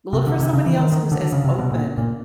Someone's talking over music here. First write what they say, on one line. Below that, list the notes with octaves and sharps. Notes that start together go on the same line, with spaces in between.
look for somebody else who's as open
C3
D3
C3
C#3
E3
D#3
D#3
D3
C#3
C3
B2
A#2
A#2